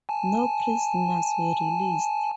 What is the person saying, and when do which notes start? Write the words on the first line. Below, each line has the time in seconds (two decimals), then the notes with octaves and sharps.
No prisoners were released.
0.09 G#5 A5